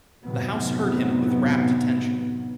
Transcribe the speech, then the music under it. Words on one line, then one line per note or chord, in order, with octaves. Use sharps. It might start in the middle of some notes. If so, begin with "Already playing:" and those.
The house heard him with rapt attention.
F#2 A2 C3 D#3 F#3 B3